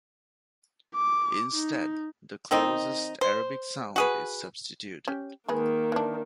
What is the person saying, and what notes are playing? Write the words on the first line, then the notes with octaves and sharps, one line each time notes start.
Instead, the closest Arabic sound is substituted.
D6
D#4
D#3 C4 D#4
C5
F#4 G#4 B4
C#4 G4
D#3 G#3 A#3 B4 G#5
E3 D4